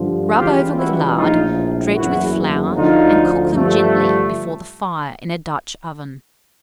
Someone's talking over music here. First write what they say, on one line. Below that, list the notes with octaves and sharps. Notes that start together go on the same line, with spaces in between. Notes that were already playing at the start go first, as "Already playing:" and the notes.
Rub over with lard, dredge with flour, and cook them gently before the fire in a Dutch oven.
Already playing: G2 D3 F3
C#2 C#3 E3 G3 F4 G4
E4 F#4
A#1 A2 F3 D#4 F4
F#1 E2 C#3 E4 F#4
D2 D3 F3 D#4 F4
G2 D3 F3 A3